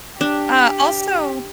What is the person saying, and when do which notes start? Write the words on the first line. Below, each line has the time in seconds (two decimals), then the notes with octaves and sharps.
Uh, also
0.21 D4 G4